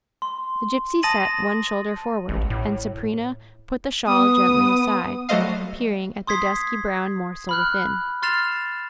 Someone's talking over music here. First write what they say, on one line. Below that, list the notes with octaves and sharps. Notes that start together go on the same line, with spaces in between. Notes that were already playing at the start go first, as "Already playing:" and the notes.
The gipsy set one shoulder forward, and Sabrina put the shawl gently aside, peering at the dusky brown morsel within.
C6
A5 D#6 A6 A#6 D#7 F#7
A1
A2
B3 D#6
F#3 G3 A3 C5 D#5 F5
C6 D#6 G#6 B6 C7
B5 F6 F#6
C6 F6 A6 C7 E7 F7